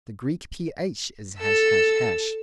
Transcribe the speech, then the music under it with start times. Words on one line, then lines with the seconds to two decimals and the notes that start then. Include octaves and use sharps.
The Greek ph is ### .
1.38 A4 E6